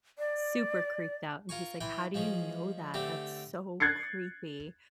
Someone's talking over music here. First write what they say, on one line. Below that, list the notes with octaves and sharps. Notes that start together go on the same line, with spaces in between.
super creeped out, and he's like, "How do you know that? That's so creepy."
D5
F4 A#4 G#5 C#6
E3 G5 G#5 C6
F3 G#3 C#4 G#4
D3 A3 C4 G4
F#6 G#6 A6 C7 C#7